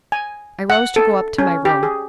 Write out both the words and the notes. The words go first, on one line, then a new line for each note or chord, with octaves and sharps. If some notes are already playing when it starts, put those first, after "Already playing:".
I rose to go up to my room.
G#5
F#5
A4
C#4
G4
G#4